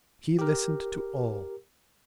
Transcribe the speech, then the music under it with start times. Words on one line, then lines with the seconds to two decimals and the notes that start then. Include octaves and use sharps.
She listened to all.
0.39 G4 A#4